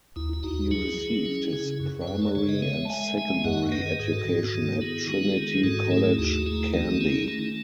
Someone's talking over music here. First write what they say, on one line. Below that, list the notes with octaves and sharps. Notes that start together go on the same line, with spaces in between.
He received his primary and secondary education at Trinity College, Kandy.
D#2 E4
E4
D#2 D#4 F#4
F#3 E4 G#4
F#3
C#4
C#3 E4 G#4
F#2
C#5
F#2 G#4 B4
A4 C#5
C#3 A4 C#5
B4 D#5
G#3 C#5 E5
A5
G#3 E5 G#5
G#3 E5 G#5
G#5
F#2 D#5 F#5
D#3 B4 D#5
G#4 B4
G#2 G#4 B4
F#4 A4
G#2
D#3
A4
B3 E4 G#4
G#3 D#4 F#4
A4
D#3 E4 G#4
G#2 F#4 A4
A3 E4 G#4
D#2 D#4 F#4
A3 E4 G#4
D#3 D#4 F#4
C#4 E4 G#4
A3 E4
D#4